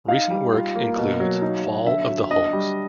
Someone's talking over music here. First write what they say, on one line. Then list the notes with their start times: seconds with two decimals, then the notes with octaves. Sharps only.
Recent work includes Fall of the Hulks.
0.08 D#4 F5
0.31 G3
0.53 F4
0.75 A#3
0.98 B2
1.20 F#3
1.42 D#4
1.64 F#3
1.86 D3 E5
2.09 F#3
2.31 D4 D#5
2.53 G3